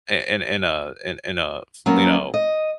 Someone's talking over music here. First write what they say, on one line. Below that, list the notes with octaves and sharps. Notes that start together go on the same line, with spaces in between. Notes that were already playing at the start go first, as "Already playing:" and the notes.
i in in a in in a, you know,
F#3 A#3 B3 C#4
D#5